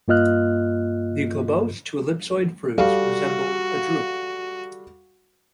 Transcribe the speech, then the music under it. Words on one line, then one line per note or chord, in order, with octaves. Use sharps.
The globose to ellipsoid fruits resemble a drupe.
G2 A#3 F4 D#5 F6 F#6
G3 F#4 A4 F5